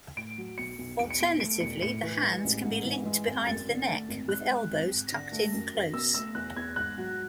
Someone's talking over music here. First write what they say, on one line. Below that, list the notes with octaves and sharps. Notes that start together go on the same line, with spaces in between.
Alternatively, the hands can be linked behind the neck with elbows tucked in close.
A2 D7
F#3
B1 C#7
B1
E2 D7
C#7
B2 D7
A3 D7
E1 C#7
A2 C#7
E3
G#3
A1
G#2
E3
G#3
G#1
F#2 A6
D3
A3
G#1
G#2 F#6
G#3
G#1
G#1
D3
A3
F#2
F#2
B2 E6
A3 E6
E2 F#6
E2 G#6
G#2 F#6
F#3